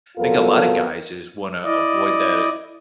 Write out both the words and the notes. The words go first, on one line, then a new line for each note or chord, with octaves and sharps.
I think a lotta guys just wanna avoid that a
F2 F#3 B3 F4 A4 A#4
E4 D5 D#5